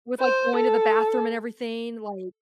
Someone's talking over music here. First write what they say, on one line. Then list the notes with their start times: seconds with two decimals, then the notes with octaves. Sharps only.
with, like, going to the bathroom and everything, like
0.20 C5
0.56 A4